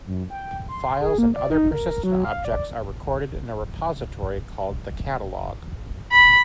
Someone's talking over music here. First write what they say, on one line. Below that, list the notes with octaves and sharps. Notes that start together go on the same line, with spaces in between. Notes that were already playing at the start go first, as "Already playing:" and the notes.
Files and other persistent objects are recorded in a repository called the Catalogue.
F#2
G5
C6
G#4
A#3
D5
D#4
A#4
F#3
F5
D5
B5